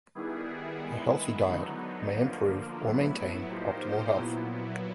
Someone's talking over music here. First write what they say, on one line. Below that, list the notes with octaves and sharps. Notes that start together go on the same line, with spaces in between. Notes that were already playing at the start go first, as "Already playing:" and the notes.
A healthy diet may improve or maintain optimal health.
D#3 G3 B3 E4 G#4
D#3 G#3 B3 E4
D3 F#3 B3 D#4
D3 F3 A#3
A2 F#3 B3 E4
F3 A#3 D#4 G4 C5
A#2 F#3 B3 E4